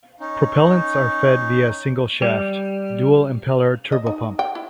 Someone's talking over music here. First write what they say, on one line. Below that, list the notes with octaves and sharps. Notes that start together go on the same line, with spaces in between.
Propellants are fed via a single shaft, dual impeller turbopump.
C#4 D#4
G3
D#5
D#4
G5
E4